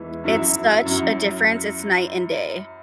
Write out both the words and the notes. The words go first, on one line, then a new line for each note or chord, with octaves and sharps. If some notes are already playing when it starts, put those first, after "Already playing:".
it's such a difference, it's night and day.
Already playing: E2 E3 G#3
F#2 F#3 E4
F#2 F#3 E4